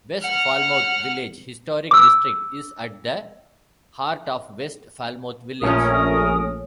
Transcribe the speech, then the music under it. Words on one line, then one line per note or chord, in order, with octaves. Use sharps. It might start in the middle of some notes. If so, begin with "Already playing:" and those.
West Falmouth Village Historic District is at the heart of West Falmouth Village.
F#5 F6
D6 E6
A#1 A3 C#4 A#4 D#6